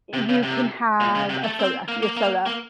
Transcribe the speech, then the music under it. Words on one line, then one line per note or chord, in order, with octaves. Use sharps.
you can have a soda your soda,
C3
C#3
C3
A#2
C#3
C3
A3
C4
A#3
A#3
A#3
A#3